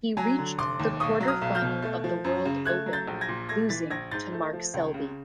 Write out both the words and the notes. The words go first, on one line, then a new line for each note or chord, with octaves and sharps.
He reached the quarter-final of the World Open, losing to Mark Selby.
F#3 G#5 A#5
D3
F1 C6 D6
D#2
B1 C#6 D#6
F#3
D#6 F6
B1
F6 G6
B2
A3
F3
F#2
C#3
A3 F#6 G#6
F#3
G6 A6
A#1
G#6 A#6
A#2
A3 G#6 A#6
E3 A6 B6
A#1 G#6 A#6
G#2 G6 A6
A3
F3
C#2
C#3